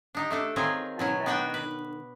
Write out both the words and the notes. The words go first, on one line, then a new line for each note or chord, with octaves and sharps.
and then,
D4 D#4 G4
A3 D4 A4
D#3 C4 C#4 F4 G#4 A#4
B2 F#3 C#4
B3 D4 F#4 F#5 G5
B4